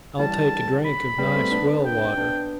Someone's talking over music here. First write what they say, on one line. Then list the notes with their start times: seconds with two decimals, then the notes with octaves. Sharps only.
I'll take a drink of nice well-water.
0.19 E3 G3 A5
0.85 B5
1.18 G3 B3
1.35 A3 C4
1.51 B3 D4
1.86 G5
2.18 B3 D4